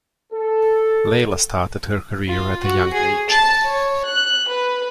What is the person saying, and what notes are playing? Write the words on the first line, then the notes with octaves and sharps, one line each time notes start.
Laila started her career at a young age.
A4
F4
F#4
G#4
A5
C#5
F#6
B4